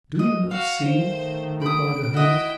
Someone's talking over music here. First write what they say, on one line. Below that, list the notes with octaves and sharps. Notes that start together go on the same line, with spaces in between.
"Do you not see," replied the hermit.
D#5
F#4 F5 F7
D#3 A3 C5
B5 D#6 D7
E4 F#4 D#5 G5